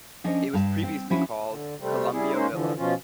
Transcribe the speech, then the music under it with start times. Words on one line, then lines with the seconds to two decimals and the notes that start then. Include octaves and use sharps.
It was previously called Columbia Villa.
0.24 F3 C#4 D4 A4 A#4 D#5
0.53 G2 F5 A5
0.83 C4
1.10 F3 C#4 D4 E4 F#4
1.49 D3
1.80 C3 G3 A3 C4
2.13 G3 E4 G#4
2.34 G#3 A#3 C#4 D#4 C5
2.51 D3 E3 F3
2.77 B2 F3 C#4 F4